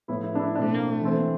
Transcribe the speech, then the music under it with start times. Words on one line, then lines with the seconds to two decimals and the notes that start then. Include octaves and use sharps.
Oh, no.
0.08 A2 F3 B3 E4
0.24 E4
0.35 D4
0.39 E4
0.55 B2 A3 C4 D4
1.01 E3 A3 C4